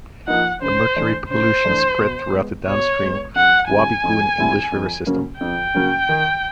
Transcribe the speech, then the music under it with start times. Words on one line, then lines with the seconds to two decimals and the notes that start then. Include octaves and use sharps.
The mercury pollution spread throughout the downstream Wabigoon-English River system.
0.28 F3 A#3 D#4 F#5
0.62 C#3 C5
0.96 E3 A3 D4
1.30 C#3 C5
1.64 E3 A3 D4
1.98 B2
2.32 G#3 B3
2.67 B2 C#5
3.02 G#3 B3
3.35 F2 F#5
3.69 D3 G3 C4 E4 G#5
4.03 F2
4.38 D3 G3 C4 E4
4.72 F2
5.07 C#3 F#3 A#3 C#4
5.41 F2 G5
5.75 C#3 F#3 A#3 C#4
6.09 D#3